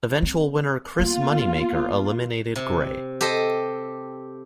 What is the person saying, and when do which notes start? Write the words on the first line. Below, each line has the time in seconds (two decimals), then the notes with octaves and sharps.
Eventual winner Chris Moneymaker eliminated Grey.
0.22 C4
0.99 A#3 B3 F4
2.56 C3
3.21 G4 A4 C5 D#5